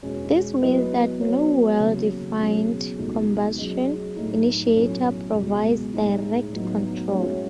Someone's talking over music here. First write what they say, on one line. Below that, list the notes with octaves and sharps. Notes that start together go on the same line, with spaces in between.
This means that no well-defined combustion initiator provides direct control.
E2 B2 G#3 C#4
F#3 B3 E4 B4 D#5
F#3 B3 F#4 C#5
D#2 C#3 F#3
B2 F#3 C#4 G#4
C#2 B2 F#3 A3 D#4
F#3 C#4 G#4 D#5
A2 F#3 A3 D#4
B2 F#3 C#4 E4 A4
C#2 B2 G#3
A2 G#3 D#4
A2 F#3 B3 D#4 F#4
A2 G#3 C#4 F#4 C#5